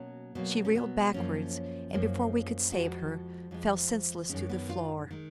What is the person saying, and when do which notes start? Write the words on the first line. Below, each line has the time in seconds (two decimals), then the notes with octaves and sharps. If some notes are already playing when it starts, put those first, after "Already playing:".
She reeled backwards, and before we could save her, fell senseless to the floor.
Already playing: B2 F#3 A#3 C#4
0.35 B2 F#3 A#3 B3
0.65 C#4
0.75 B3
1.14 F#2 F3 A#3 C#4
1.93 F#2 F3 A#3
2.72 F2 F3 G#3 F#4
3.51 F2 F3 G#3
4.29 F#2 D#3 G#3 C#4
4.49 B3
4.69 F4
5.11 D#3 G#3